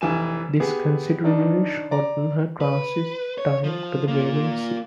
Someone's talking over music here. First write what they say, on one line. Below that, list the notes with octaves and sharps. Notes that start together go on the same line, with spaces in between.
This considerably shortened her transit time to the Bering Sea.
F1 E3 G#5 E7
B3 G4 G#4
D#3 D4 D#4
D5 A#5
B4
C#5
F3
A#3 F4